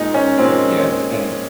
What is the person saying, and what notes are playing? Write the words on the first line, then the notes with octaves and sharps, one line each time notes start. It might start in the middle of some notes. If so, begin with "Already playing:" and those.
Yes. And
Already playing: A#2 G#3 D#4
C#4
A#2 G#3 C4